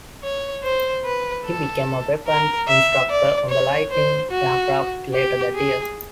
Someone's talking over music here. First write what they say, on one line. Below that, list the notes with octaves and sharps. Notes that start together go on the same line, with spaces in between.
He became a weapons instructor on the Lightning aircraft later that year.
C#5
C5
B4
A4
A#4
E5
D5
C#5
C5
F#4
G4
G#4